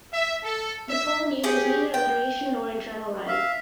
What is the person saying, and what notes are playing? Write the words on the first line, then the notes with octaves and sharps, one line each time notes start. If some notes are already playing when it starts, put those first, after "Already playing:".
The poem uses neither alliteration nor internal rhyme.
E5
A4
E5
C#4 G4 G#4
G5
E5 F5